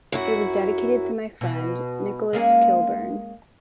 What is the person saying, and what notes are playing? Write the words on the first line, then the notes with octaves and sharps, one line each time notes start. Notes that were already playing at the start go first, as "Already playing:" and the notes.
It was dedicated to "my friend Nicholas Kilburn".
F#2 E4 F#4
B2
G#3 A#3 C#4